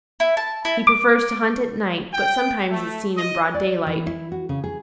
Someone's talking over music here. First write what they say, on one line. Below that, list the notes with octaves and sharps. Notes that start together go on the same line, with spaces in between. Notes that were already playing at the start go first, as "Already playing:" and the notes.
He prefers to hunt at night, but sometimes is seen in broad daylight.
E4
A5
E4
D6
G5
A3
D#5
D5
E3
E4
F#4
C#3
G#4